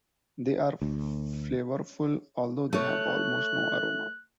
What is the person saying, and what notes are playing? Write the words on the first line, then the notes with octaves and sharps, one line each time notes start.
They are flavorful, although they have almost no aroma.
D2
A3 C#5 F#6